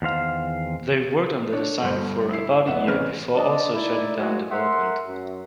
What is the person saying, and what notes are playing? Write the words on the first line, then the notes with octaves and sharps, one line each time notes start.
They worked on the design for about a year before also shutting down development.
E2 D#3 C5 F5
D4 C#5
G1 G2 C5
E4 C7
B1 B3 E5 F#5 E7
A1 C3 C#4 B4 F6
D4 D5 D#5
D#4 E4 D5
G#2 F#3 G#3 A#3 E4 F#4
A#4 E5 F#5 C6
F#2